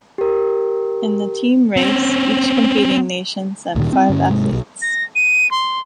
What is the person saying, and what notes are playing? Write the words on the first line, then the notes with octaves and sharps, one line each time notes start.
In the team race, each competing nation sent five athletes.
G4 A#4
C4 C#4
D2 A#2 D#3
G3 C4
G2 D3 C#4
G#2 C3 G#3
D1 B1
A#6
D#7
C6